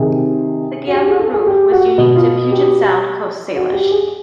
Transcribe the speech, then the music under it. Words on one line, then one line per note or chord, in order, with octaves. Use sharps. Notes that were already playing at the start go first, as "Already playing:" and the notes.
The gambrel roof was unique to Puget Sound Coast Salish.
Already playing: C3 D#3 G#4
F#4
G4
G#4
A4
G#4
G4
F#4
B2
F4
G4
F#4
G4
G#4